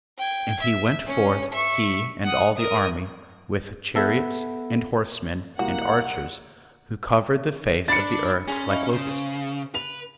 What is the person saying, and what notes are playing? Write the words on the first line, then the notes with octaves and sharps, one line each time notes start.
And he went forth he and all the army, with the chariots, and horsemen, and archers, who covered the face of the earth, like locusts.
G5 G#6
E5
C#4 C#5
E5 C#6
F#5 D#6
A#4 D#6
B3 A4 E5 F#5 B5
C2 A#3 F#4 F#5
D4 A5 B5 A6 C#7
C#4 G#4 A#5 C6
D#4 E4 F5
C#3 C5
B4 F7